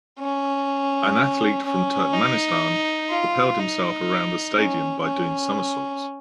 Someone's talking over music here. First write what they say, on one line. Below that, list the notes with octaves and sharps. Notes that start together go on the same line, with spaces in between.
An athlete from Turkmenistan propelled himself around the stadium by doing somersaults.
C#4
C#4
D#4
F4
D#4
C#4
C#4